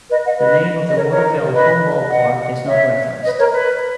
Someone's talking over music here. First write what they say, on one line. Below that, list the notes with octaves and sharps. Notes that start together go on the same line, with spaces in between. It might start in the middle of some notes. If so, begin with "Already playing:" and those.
The name of the Waterville home ballpark is not referenced.
B4 D#5
D#5 F#5
B4 D#5
D#5
A#4 C#5
A#4 C#5
B4 D#5
D#5 F#5
C#5 E5
B4 D#5
A#4 C#5
B4